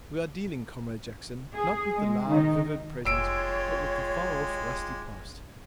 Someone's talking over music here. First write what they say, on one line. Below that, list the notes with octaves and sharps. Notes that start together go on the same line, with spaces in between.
We are dealing, Comrade Jackson, not with the live, vivid present, but with the far-off, rusty past.
G#4
G#3
D#3 D#4
F1 G#3 F4 G4 C#5 E6 D7